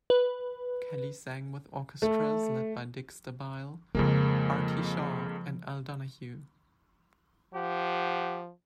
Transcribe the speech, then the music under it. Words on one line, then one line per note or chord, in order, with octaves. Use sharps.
Kelly sang with orchestras led by Dick Stabile, Artie Shaw, and Al Donahue.
B4
A3
F2 C#3 F3 G#3 A#3
F3 G4 F#5